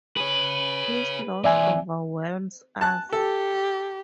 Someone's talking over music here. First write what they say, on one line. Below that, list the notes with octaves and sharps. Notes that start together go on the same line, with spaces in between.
His loss overwhelms us.
G#4 B4 C#5
E3 C4 D5 E5 G#5
A5 F#6
G4 A4